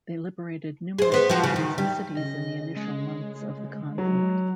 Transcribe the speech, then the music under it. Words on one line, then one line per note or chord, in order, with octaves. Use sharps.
They liberated numerous towns and cities in the initial months of the conflict.
G#4 C5
B3 C5
F3 F#4
C#3
D#3
G3
C#3 D#5
G#3
F#3